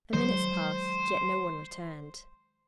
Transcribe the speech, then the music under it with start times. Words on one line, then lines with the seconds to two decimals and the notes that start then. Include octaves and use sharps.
The minutes passed, yet no one returned.
0.13 D#3 F#3 G#3 C5